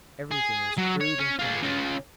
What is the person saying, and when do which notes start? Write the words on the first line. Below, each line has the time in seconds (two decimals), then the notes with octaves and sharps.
Everything was crude and primitive.
0.31 G#4
0.78 F#3
1.00 C#5
1.19 C#4
1.39 F4 G#4
1.62 C#3 F4